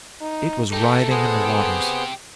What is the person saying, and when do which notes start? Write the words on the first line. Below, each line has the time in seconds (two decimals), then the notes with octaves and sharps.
It was writhing in the waters.
0.21 D#4
0.73 A3 D#4 A4 G5 D6
1.11 G#3 B3 G#4 C5
1.45 C4 G4